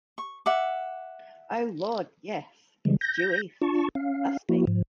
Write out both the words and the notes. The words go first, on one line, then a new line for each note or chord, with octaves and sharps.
Oh, Lord, yes, it's due east — must be!
C#6
E5 F#5 D6
C#3 E3 G3 G#3
G6 A#6
D4 F4 A5 C#6
C#4 F5
F3 A#3 E4 F#4
G#2 F3